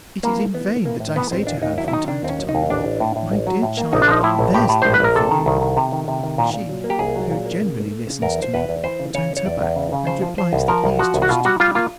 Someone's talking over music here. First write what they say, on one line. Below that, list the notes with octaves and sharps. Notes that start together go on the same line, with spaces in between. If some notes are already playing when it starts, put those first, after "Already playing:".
It is in vain that I say to her from time to time, 'My dear child, there's the man for you.' She, who generally listens to me, turns her back and replies that he is too stupid.
E3 A#3
A3
E3 B3
A3
E3 A#3
A2
E3 B3
A1 C4
D#2 D4
D#2 D#4
F#3 E4
E4
D#3 D#4
D#3 D4
D#2 C4
C#4
F#3
D#4
D#2
A1 D4
A1
A2
A2
A1
F#3
A2
A#3
A#1 D#4
D4
F3 D#4
A2 E4
A#1
A2 G4
A2
A#1 C5
B4
A#1 A#4
C3 A4
D#3
C2
D#3
C3
D#3
C3
D#3
A#2
A#2
F#3
A#3
G4
C2 G#4
F#3
A#2
A#3
C#3
A3
A3
C#3
E2 A#4
F3 C5
E2 B4
E2
E3 C5
C#3
C#3 C#5
E3
C#5
E2 D5
E2
C#3
C#3
F3 C5
F3
F3 C5
C2
F3 A#4
C2
F3 F#4
C2
F#4
B2 F4
G3 F#4
G3 F4
A#3 F4